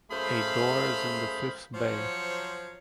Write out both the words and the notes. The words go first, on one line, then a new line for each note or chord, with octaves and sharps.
A door is in the fifth bay.
F#2 A3 G#4 C5 F5 B5
F3 F#3 C5 C#5